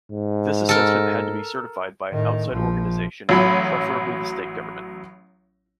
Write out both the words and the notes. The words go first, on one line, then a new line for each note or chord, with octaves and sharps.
This assessment had to be certified by an outside organization, preferably the state government.
G#2
A4 A#4
A2 D#3
A#1 F3
A1 F#3 B5